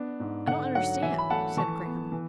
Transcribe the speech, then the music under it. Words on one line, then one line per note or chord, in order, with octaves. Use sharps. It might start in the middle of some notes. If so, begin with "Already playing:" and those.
"I don't understand," said Graham.
Already playing: B3 D4
G#2
D3 F#5
F#3 F#5
E3 E5 G#5
B5
A3 F#5 A5
E3 A5 C#6
B3
E3